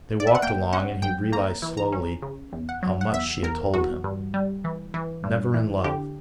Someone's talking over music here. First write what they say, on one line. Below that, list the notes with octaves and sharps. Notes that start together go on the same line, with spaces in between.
They walked along, and he realized slowly how much she had told him... never in love....
D5
E5
F#5
A#3 G5
C#4 F#5
F#2 G5
A#3 A#5
E3
A#5
C#4
C#3
E2
F#5
F#3
F#5
E2 E5
E2 A#4
E2 F#4
G2
G3
E3
E3
G2
E3
D3 G4